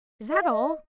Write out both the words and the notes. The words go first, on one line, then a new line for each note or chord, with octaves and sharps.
"Is that all?"
D#5
F5
D#5